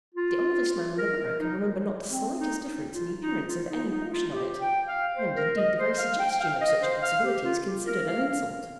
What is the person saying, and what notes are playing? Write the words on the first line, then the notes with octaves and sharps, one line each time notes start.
The oldest man in the borough can remember not the slightest difference in the appearance of any portion of it; and, indeed, the very suggestion of such a possibility is considered an insult.
F4
A#4
A#4
D#4
C4
D#4
D#4
F4
D#4
F4
D#4
D#4
F4
G4
G5
F5
C5
A#4
D#5
C5
F5
G5
G5
F5
D#5
C5
F5
G4
F4
G4
A#4
F5
F5